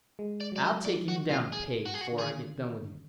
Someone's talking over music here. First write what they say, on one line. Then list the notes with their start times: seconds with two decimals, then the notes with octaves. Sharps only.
I'll take you down a peg before I get done with you.
0.19 G#3
0.41 D5
0.52 F#3 D5
0.64 D#5
0.85 F3 D5
1.08 D#3 F#4
1.30 B2 F4
1.52 G#4
1.86 F#4
1.94 G#4
2.01 F#4
2.12 D3
2.19 D#3 G#4